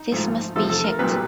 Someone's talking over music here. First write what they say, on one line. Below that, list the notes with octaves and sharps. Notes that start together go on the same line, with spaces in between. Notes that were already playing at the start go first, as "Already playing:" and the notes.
This must be checked.
Already playing: D#4
G#1 G#2 F3 A3
E2 C3 F3 A3 A4
A4
A#4
B1 A#2 G3 B3 B4